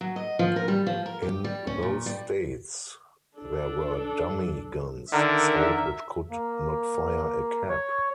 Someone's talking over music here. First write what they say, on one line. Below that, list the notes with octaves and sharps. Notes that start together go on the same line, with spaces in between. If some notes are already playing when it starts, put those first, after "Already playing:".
In those states, there were "dummy" guns sold which could not fire a cap.
F#3
D#5
F3
A#4
G3
F3
A#4
G4
G3
C#4
A#2
G3
D4 A4
D3 D#3 A#4 E5
A#3
C#5